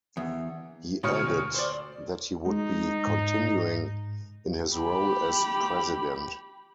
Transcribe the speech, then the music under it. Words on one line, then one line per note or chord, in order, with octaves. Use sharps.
He added that he would be continuing in his role as president.
E2
D2 B2 C#5 D#6 F6 C#7
C5 D5
G#3 D#4
G#2
G4 B5